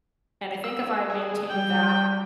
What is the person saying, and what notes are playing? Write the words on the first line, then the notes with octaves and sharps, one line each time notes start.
And I think if I maintain that,
E6
G#4
G3 G5